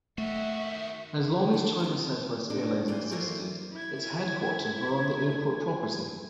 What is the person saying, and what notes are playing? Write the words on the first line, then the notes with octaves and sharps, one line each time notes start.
As long as China Southwest Airlines existed, its headquarters were on the airport property.
D#3 A3 F#4 E5
D4 E4 F#5 A5
B3 C4
A2 C3 G3 C4 D4 D#4
E3 A#3 C5 G5 G#5
E3 F#4 G4 A4 A#4 C5
E4 G#6